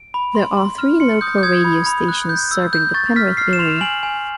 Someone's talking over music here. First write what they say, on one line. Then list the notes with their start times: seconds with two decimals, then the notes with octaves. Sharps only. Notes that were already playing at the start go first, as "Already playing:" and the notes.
There are three local radio stations serving the Penrith area.
Already playing: D7
0.14 B5
0.35 C6
0.57 C6
0.78 F6
1.00 C6 C#7
1.21 D#6 G6
1.38 G6
1.43 D#6 G#6
1.65 B5
1.86 B5
2.09 F#6
2.29 G6
2.51 E6
2.73 G6
2.94 C#6 A6
3.16 F6 B6
3.37 F6 C7
3.53 E7
3.59 C6 F7
3.81 G#5 F#7
4.03 G#5